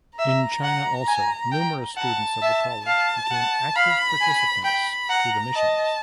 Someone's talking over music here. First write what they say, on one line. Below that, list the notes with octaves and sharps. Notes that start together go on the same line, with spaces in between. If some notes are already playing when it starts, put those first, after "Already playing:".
In China also, numerous students of the College became active participants to the missions.
E5 A#5
F#5
G#5
G5
F#5 A5
E5
F5 A5
F#5
F5 B5
G#5
G5 B5
F#5 A#5
D#5 A5